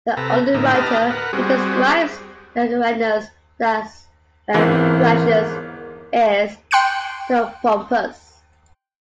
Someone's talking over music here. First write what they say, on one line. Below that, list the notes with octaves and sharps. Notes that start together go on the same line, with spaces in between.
The only writer who describes the Agrianes as Thracians is Theopompus.
C3 A4 B4 A#5
A2 D3 A#3 D#4 E4
G4 B4 D#5 A5 A#5 F6
A#4 B4 F#5
G3 C4 F#4 G#4
G1 G#2 E3 C4 A#4
A#4
G5 C6 F#6 C#7 D7